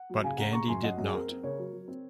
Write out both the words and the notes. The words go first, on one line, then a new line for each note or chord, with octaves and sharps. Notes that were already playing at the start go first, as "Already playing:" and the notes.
But Gandhi did not.
Already playing: F#5
F#3
C#3 F5 G#5
C#3 F#5 A#5
C#3 A#5 C#6
F#2 G#5 C6
F#2 D#5 F#5
F#2
G#4
C4 A#4
C4
C#3 A#4 C#5
F#3
F#3
C4